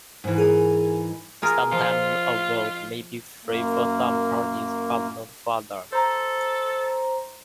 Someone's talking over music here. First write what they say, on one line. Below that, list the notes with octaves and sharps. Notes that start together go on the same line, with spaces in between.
Sometimes a vote may be free for some parties but not for others.
G#2 E3
G#4 A#4 G#5
F4 G#4 A#4
F3 F4
F#2 A#3
A4 C5 A#5